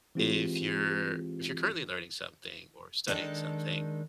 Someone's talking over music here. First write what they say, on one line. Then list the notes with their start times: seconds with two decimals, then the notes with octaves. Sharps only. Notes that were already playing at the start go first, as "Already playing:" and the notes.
if you're, if you're currently learning something or studying something,
0.15 E3 G#3 C4 F4 G4 G#4
3.08 D#3 G#3 D4 D#4 A4